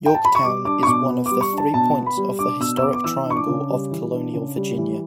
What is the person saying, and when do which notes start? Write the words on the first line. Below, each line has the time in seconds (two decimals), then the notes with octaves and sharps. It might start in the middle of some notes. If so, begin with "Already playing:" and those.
Yorktown is one of the three points of the Historic Triangle of Colonial Virginia.
0.06 G5
0.15 A5
0.25 B5
0.35 C#6
0.44 G3 D6
0.65 D4 D6
0.83 C#6
0.87 B2 D6
1.09 B3
1.26 G3 D6
1.41 C#6
1.53 D4
1.58 A5
1.74 B2 A5
1.96 B3
2.06 B5
2.17 G3
2.39 D4 D6
2.60 B2 E6
2.77 E6
2.82 B3 D6
2.94 D6
3.04 E3 E6
3.25 D4
3.30 C#6
3.36 D6
3.48 C#3
3.70 G3
3.91 E3
4.12 D4
4.34 C#3
4.56 G3
4.78 E3